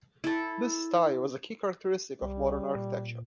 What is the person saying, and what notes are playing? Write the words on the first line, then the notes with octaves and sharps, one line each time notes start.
This style was a key characteristic of modern architecture.
E4 A4
C2 G3
A#2